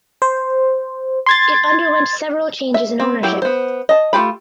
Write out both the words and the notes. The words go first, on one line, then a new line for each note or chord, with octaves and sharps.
It underwent several changes in ownership.
C5
C6 G#6 A6
E5
C4
F#3 E4 G4
B3 C5
D#5 A5
A3 A#3 F4 G4 B5